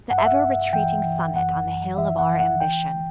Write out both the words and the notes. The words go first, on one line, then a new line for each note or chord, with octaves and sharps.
The ever-retreating summit on the hill of our ambition.
G2 F#5
E5
F#5
G2
E3 G5
E3
F#2 F#5
F#2
E3 E5
F#5
E3
F#5
G5